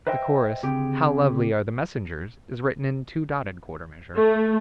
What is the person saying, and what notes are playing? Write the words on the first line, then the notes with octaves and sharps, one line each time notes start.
The chorus: "How lovely are the Messengers" is written in two-dotted quarter measure.
B4 C5 D#5 E5 G5
D2 C#3 C4 G4 G#4 G5
A3